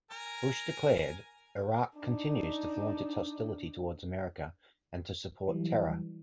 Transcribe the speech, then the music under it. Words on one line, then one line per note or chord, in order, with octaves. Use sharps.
Bush declared, Iraq continues to flaunt its hostility toward America and to support terror.
A#4 G#5 A#5
D4 D#4
E3 F#3 G3